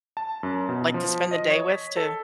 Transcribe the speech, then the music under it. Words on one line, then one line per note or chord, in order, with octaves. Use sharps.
like to spend the day with to
A5
F#2
B2
F3
D#5
C#5
B6
A4